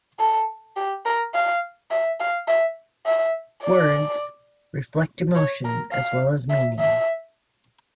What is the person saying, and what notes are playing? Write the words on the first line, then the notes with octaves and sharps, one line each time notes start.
Words reflect emotion as well as meaning.
A4
G4
A#4
F5
E5
F5
E5
E5
D5
C#5
A#4
F5
E5
E5